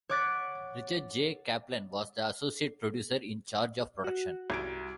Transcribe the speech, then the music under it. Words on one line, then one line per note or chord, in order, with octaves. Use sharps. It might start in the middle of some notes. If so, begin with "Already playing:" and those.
Richard J. Kaplan was the associate producer in charge of production.
C#5 F#5 D6 F#6 A6 B6
F#4
C2 G#6 D7